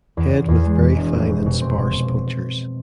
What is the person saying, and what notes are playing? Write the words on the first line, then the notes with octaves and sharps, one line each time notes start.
Head with very fine and sparse punctures.
E2
E2
E2
G#3
E2
E1
F1
B2
B2
C4
B2
B2